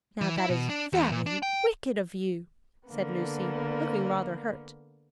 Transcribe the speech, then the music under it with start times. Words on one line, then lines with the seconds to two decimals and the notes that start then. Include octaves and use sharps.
"Now that is very wicked of you," said Lucy, looking rather hurt.
0.21 E3
0.37 E4
0.50 B2
0.69 D4
0.93 E2
1.12 A#2
1.26 D4
1.43 G5
2.88 D3 A#3 B3